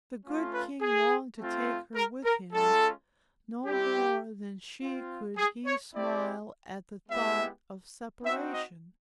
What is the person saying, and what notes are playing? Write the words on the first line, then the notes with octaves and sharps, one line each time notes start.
The good king longed to take her with him; no more than she could he smile at the thought of separation.
A3 C#4 F4
B4
G#4
A3 C4 F4
A#4
A#4
G#3 C#4 F4 A4
G3 C4 E4 G4
C4 F4
G#4
C#5
C4 E4 G4 D5
G#3 B3 E4 G4 E5
C4 D#4 F#4 E5
D#5